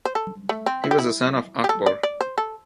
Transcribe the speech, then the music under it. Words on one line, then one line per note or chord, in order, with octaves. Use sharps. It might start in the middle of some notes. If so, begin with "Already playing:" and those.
He was the son of Achbor.
C5
A4
A3
C4
E4
G4
E4
G4
A4
D5
D5
C5
A4